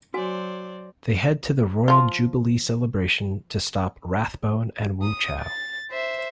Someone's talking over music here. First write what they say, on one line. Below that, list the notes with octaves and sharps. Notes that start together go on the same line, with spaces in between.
They head to the Royal Jubilee celebration to stop Rathbone and Wu Chow.
F#3 F#4 C5 D5 G#5
F3 F4
D#6
A6
C5 E5